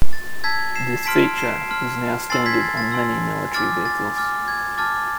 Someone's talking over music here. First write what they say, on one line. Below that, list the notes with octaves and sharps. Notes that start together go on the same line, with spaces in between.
This feature is now standard on many military vehicles.
A6
A5 E6 G#6 B6
C7 E7
A5 C6 F6 B6 D7
C7 E7
A5 C6 F6
G#5 C6 E6 A6 C7
G#6 B6
A6
A6
G#5 C6 E6
G#5 D6 F6 A6
A6
G#5 D6 F6 A6
G#6
A5 D6 F6 A6